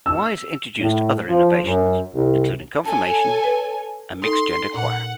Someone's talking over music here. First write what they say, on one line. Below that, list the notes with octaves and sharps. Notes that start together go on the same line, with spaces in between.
Wise introduced other innovations, including confirmation, a mixed-gender choir.
E6
A2
F3
F#2
C2
A4 C#5 G#5 A5
B4
D#4 A4 C6
A#2 F#5